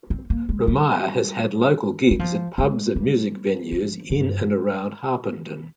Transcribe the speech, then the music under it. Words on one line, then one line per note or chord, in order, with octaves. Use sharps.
Remiah has had local gigs at pubs and music venues in and around Harpenden.
C4
A#3
G#3
G3
G3
F3
G#3
G3
F3
G2